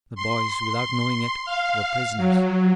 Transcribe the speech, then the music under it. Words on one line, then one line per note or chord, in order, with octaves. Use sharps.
The boys, without knowing it, were prisoners.
C6
F5
F#3